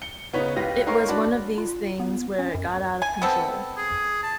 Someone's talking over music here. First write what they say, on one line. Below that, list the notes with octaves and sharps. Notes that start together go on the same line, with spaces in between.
It was one of these things where it got out of control.
C#7 G7
C#3 B3 D#4 B4 C#5
C#2 F4 G4 B4 A#6
D#4 A#4 C#5 F5 C6 C#6
D4 F#4 D5 A5 B5
F4
B3
C#4
F#2
G#5
B3 C4 A4
G#4
A5